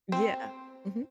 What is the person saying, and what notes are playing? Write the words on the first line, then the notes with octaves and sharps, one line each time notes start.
Yeah. Mhm.
C4